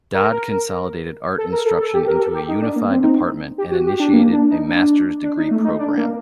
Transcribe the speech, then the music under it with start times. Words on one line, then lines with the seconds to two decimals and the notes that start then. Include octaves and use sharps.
Dodd consolidated art instruction into a unified department and initiated a master's degree program.
0.14 A#4
1.38 A4
1.52 A#4
1.65 A4
1.80 A4
1.94 G4
2.07 A#4
2.20 A4
2.34 G4
2.48 D#4
2.62 D4
2.76 A#3
2.90 C4
3.03 D#4
3.58 G4
3.72 F#4
3.86 G4
4.00 D4
4.13 A#3
4.32 D4
4.51 D#4
4.69 D4
5.23 D4
5.37 D#4
5.51 A3
5.65 D#4
5.79 D4
5.97 A#3